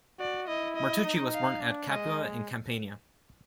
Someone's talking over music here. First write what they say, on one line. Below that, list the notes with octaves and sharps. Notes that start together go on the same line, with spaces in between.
Martucci was born at Capua, in Campania.
F#4 D5
E4 D#5
D#5
D#4
F5
D4
G#3 D#5